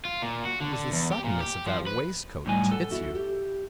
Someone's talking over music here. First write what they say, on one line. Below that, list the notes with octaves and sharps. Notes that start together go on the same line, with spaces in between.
It is the suddenness of that waistcoat which hits you.
F4
A#2
F#4
D3
D3
E2
G4
A#2
G4
F3
B4
A2 G3 D#4 B4 G#5
F#3
A4 B4 F#5 A5
B3 E4 F#4
G4